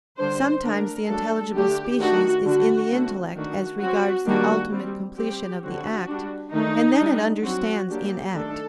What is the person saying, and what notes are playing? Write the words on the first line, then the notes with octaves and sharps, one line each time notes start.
Sometimes the intelligible species is in the intellect as regards the ultimate completion of the act, and then it understands in act.
D3 G3 D4 C5
D3 A3 D4 A#4
F#3 A3 D4 A4
D3 A3 D4 G4
D#3 A3 D4 F#4
D3 G3 D4 F#4
D3 A3 C4
D#3 A3 D4 F#4
F#3 C4 F#4
D#3 G3 A#3 D4 F#4
G3 C4
G3 C4 G4
D3 F#3 C4 F#4
G3 D4
D#3 A3 D4 D#4
G3 D4
F#3 C4 F#4
F#3 A#3 D4 G4
D#3 A3 D4 A4